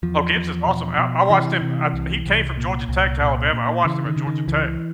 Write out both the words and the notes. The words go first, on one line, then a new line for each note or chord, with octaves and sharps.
Oh, Gibbs is awesome. I I watched him I'd he came from Georgia Tech to Alabama. I watched him at Georgia Tech.
E2 F3
E2
B2
B2
C3 E3
C3
C2
C2
A#2
C2
A#2
A#2
C#3 E3
D#3
C#3
D#3
C#2 E3